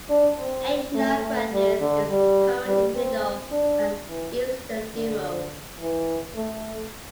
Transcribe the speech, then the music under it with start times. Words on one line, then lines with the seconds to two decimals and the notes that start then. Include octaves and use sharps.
"Aeshna grandis" is common in middle and eastern Europe.
0.09 D4
0.38 C4
0.95 A3
1.24 A3
1.52 G3
1.81 D3
2.09 G3
2.66 G3
2.94 C4
3.51 D4
4.08 E3
4.93 D3
5.79 E3
6.35 A3